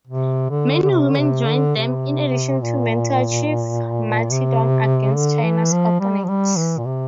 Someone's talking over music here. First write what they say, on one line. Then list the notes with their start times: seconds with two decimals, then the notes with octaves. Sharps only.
Many women joined them in addition to men to achieve martyrdom against China's opponents.
0.08 C3
0.50 D3
0.83 D3
0.92 C3
1.12 D3
1.20 C3
1.48 D3
1.77 C3
2.61 A#2
4.31 C3
5.15 D3
5.43 E3
5.72 F3
6.00 G3
6.24 F3
6.29 G3
6.56 E3
6.78 A#2
6.85 C3